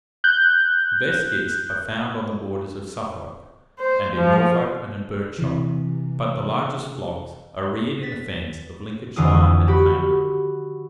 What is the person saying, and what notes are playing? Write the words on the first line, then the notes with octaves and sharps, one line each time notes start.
The best geese are found on the borders of Suffolk, and in Norfolk and Berkshire; but the largest flocks are reared in the fens of Lincolnshire and Cambridge.
F#6 G6
C5
F3
C3 E3
A6 B6
F2 D3 E3 F4 D6 D#6
F#4 G4 B5 D6